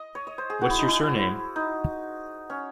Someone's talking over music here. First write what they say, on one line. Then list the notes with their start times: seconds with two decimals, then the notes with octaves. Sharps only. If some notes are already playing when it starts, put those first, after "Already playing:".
What's your surname?
Already playing: D#5
0.15 C#5
0.27 D#5
0.38 C5
0.50 G#4
0.61 F#4
0.70 E4
0.79 D#4
0.88 E4
1.56 D#4
2.50 C#4